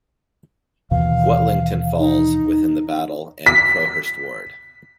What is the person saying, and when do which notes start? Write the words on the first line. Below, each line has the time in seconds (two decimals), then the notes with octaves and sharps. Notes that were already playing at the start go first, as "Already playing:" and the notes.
Whatlington falls within the Battle and Crowhurst ward.
0.91 D#2 B2 E3 F5
1.99 D#4
3.46 B6